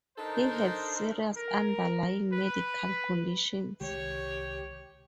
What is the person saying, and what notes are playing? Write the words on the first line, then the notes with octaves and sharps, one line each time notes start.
He had serious underlying medical conditions.
D4 D#4 A4 A#4 C5
A#4
B4
C2 D#3 G#3 G4 C#5